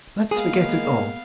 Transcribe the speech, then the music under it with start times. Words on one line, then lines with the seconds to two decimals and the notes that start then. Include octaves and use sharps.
Let's forget it all.
0.31 G#3 A#3 B3 G#4 F5